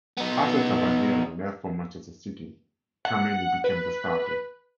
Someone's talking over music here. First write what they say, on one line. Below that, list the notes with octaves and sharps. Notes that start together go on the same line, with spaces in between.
After Caballero left for Manchester City, Kameni became the starter.
B3 D#4
F#5
B4